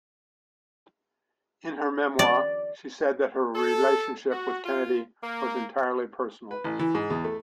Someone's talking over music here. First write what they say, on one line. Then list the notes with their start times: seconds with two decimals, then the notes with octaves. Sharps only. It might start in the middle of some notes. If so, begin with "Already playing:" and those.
In her memoir, she said that her relationship with Kennedy was entirely personal.
2.19 D5
3.55 A4
4.31 F#4
4.64 F4
5.22 A#3
6.51 B4
6.64 A1
6.79 E3
6.95 G#2
7.10 E2
7.24 A3